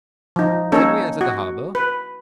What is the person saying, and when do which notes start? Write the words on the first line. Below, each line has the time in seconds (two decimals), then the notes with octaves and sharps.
"Can we enter the harbour?"
0.36 F3 D#4
0.72 A#3 C#4 D#4 A4 C#5
1.21 F#4
1.75 B4